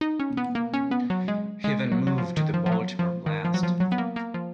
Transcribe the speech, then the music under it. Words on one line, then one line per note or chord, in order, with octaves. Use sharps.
He then moved to the Baltimore Blast.
D#4
C#4
B3
A#3
C#4
B3
F#3
G#3
G#3
F#3
F#3
F3
D#3
F3
F3
F#3
F3
D#3
F3
F#3
F3
F#3
B3
A#3
A#3
F3